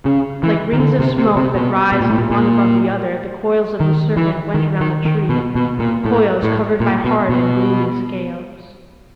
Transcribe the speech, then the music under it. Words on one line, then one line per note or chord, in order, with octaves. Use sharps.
Like rings of smoke that rise one above the other, the coils of the serpent went around the tree--coils covered by hard and gleaming scales.
C#3
E3
D#3
D3
C3
C3
C3
B2
B2
A#2
A2
A#2
A#2
D#3
E3
D#3
D#3
D#3
B2
B2
A#2
A2
A2
A#2
B2
B2